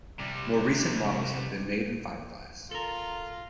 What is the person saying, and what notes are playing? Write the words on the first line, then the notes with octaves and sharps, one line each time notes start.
More recent models have been made in fibreglass.
C3 G3
F4 A4 A#4